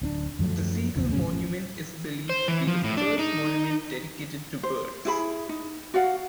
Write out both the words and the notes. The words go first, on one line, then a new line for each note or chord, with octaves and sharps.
The Seagull Monument is believed to be the first monument dedicated to birds.
D1 C#4 D4
F#2 F3 F#3 A3
F#1 B1 E2 F3
F2 A2 C#3 C#4
A1
C5
E3
F3
A2
D4
D#4
C5
E4 G#4 B5
D#4
F#4 D5 F5 F#5